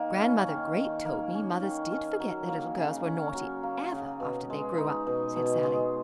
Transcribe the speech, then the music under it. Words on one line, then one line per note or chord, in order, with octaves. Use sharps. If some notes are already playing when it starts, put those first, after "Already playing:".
"Grandmother Great told me mothers did forget their little girls were naughty ever, after they grew up," said Sallie.
Already playing: D#3 A#3
C#4
D#3
D#3
A#3
C#4
D#3
C#4
F#3
A#3
C#3
C#4
F#3
A#3
C#3
B2
G#3
D#4
B2
B2
G#3